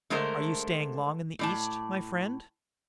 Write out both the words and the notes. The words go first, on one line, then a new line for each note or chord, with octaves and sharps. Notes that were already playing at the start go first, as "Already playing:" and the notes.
"Are you staying long in the East, my friend?"
D3 G#3 A3 A#4 C5
A2 D5 A5